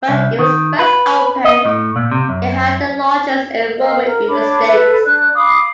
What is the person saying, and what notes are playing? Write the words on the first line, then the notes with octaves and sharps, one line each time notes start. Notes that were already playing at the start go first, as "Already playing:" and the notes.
When it was first opened, it had the largest enrollment in the state.
C2
D#3
B4
D#5
A2
A#2
C3
F#2
A#4 C5 D#5 F5
A#4
D4 C#5 B5 D6
A4 B4
D4 D5 F#6
F5 B5 D6 D#6